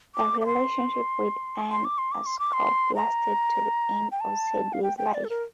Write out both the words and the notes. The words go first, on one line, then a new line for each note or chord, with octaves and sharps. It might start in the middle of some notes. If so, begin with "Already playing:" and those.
The relationship with Ann Ayscough lasted to the end of Sedley's life.
D6
D6
C6
C6
D6
C6
D6
C6
D6
C6
A#5
G5
A5
F5
G5
G5
D5
A4
A#4